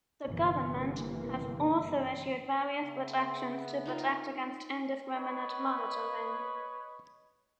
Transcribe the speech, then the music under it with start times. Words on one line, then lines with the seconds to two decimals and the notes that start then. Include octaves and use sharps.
The government has also issued various protections to protect against indiscriminate monitoring.
0.25 G1 C3 E3 A#3
2.82 C#3 B3 E5
3.86 D#4 F4 A#4
5.15 B4 C#5 D#5